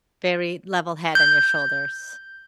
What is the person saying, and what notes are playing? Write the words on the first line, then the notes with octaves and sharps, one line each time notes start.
very level head on your shoulders.
G6